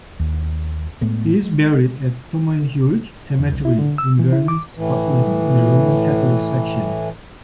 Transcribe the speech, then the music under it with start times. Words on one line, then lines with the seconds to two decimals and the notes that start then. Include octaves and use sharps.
He is buried at Tomnahurich Cemetery, Inverness, Scotland, in the Roman Catholic Section.
0.20 D#2
1.01 A2 G#3 A3 B3
1.43 G#3
3.39 E2
3.52 C2
3.65 E4
3.79 D3
3.98 E6
4.19 E3
4.32 E4
4.48 D6
4.77 A2 E3